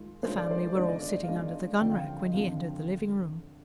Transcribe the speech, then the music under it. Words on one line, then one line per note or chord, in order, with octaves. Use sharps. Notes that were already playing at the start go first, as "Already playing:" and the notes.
The family were all sitting under the gunrack when he entered the living room.
Already playing: D#3 G#3 F4
D#3 G#3 D4 F4 C5
D5
C5
D#3 G#3 D4 F4 D5
D#5
D5
F5
D#3 G#3 D4 F4 D#5
D3 F3 C4 F4 G5
F5
G5
D#5
D3 F3 C4 F4 F5